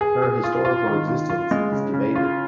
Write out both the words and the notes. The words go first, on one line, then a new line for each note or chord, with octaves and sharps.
Her historical existence is debated.
G#4
G#4
F4
F4
D#3
F4
F4
G#3
C#3
C#3
F4